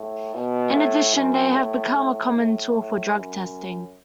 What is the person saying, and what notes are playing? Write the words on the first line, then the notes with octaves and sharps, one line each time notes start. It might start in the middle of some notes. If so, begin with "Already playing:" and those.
In addition they have become a common tool for drug testing.
Already playing: A2
B2
A2
F#2
A2
A2
A2
A2
F#2